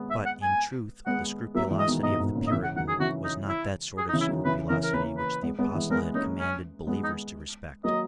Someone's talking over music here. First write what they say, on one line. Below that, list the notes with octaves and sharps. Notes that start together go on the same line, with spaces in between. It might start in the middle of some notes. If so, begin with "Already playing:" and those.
But, in truth, the scrupulosity of the Puritan was not that sort of scrupulosity which the Apostle had commanded believers to respect.
Already playing: G#3 B3
E5
F#5
G#5
G#3 B3 F#5
F#3 A#3 E5
E3 G#3
D#5
B2 D#3
G#2 B2 D#5
G#2 B2
A#2 C#3
D#5
C#3 E3 E5
F#5
D#3 F#3 F#5
G#4
C#3 E3 F#4
D#4
E4
G#4
D#4
C#3 E3
E4
D#3 F#3
C#3 E3 B4
C#3 E3 A#4
A#4
A#3 C#4 B4
B4
G#3 B3
G#3 B3
E3 G#3
G#3 B3 A#4
A#3 C#4 D#4
C#4
G#3 B3
D#4
F#3 A#3 D#5